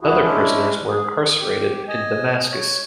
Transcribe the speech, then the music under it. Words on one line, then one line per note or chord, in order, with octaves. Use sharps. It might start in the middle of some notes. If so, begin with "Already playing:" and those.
Other prisoners were incarcerated in Damascus.
D2 E3 E4 F#4 G#4
G#3 C#4 D4 E4
G#4
G4
D#5 G#5
C#5